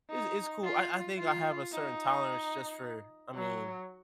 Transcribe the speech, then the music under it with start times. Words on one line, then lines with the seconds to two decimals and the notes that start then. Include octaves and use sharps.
is is cool. I I think I have a certain tolerance just for I mean
0.10 D#4
0.64 F4
1.18 F4
1.73 D#4
3.35 F#3